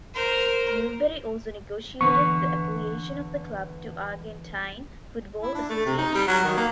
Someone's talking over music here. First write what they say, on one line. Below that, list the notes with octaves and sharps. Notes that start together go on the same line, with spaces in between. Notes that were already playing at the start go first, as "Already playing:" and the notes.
Newbery also negotiated the affiliation of the club to Argentine Football Association.
A#4 C5
D3 E3 B3 C#6
E4
D4
A3
C3
D#4
G3
F#3
D#3
A#3